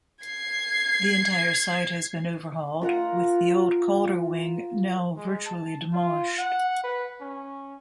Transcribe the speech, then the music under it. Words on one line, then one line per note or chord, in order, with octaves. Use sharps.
The entire site has been overhauled, with the old Calder Wing now virtually demolished.
G#6 C7
F4 A#4 F#5 A#5
G#3
A5
F4
F#5
B4
C#4